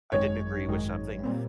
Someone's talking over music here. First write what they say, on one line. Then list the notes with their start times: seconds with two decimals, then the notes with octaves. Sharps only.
I didn't agree with something
0.12 G#1 F#2 D#3 G#3 C#5
0.68 G#1 F#2 D#3 G#3
1.23 A#2 G3 C4